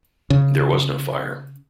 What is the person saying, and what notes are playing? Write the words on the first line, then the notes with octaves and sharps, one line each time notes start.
There was no fire.
C#3